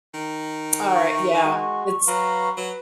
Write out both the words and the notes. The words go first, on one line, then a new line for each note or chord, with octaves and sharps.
Alright, yeah, it's
D#3
C#6
G#3 F#4
F#3 B4 F5 A#5
F#3 B4